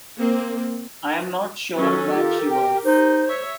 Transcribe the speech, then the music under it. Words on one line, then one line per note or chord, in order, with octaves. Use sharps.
I'm not sure that she was.
A#3 C4
D#3 F#3 C#4 A4
F4 G4 A#4
G5
D#4 C5
C#5 E5